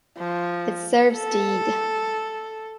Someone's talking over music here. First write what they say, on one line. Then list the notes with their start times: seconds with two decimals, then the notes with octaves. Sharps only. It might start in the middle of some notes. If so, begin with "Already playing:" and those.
It serves Deeg.
0.18 F3
1.13 A4